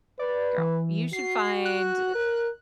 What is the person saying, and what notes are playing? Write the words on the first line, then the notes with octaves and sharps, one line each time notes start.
girl, you should find,
B4 D5
E3
F#4 C7
F#6
A#4